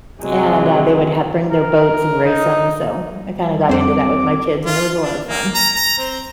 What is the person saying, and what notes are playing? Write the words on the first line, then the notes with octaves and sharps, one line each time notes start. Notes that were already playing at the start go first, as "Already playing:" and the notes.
And, uh, they would have bring their boats and race 'em, so, I kinda got into that with my kids, and it was a lot of fun.
C3 F3 F#3 G#3
A#4
D#4
G3
F2 C4 C5 D6
F4
D4
A#3
A#5
A#5
C4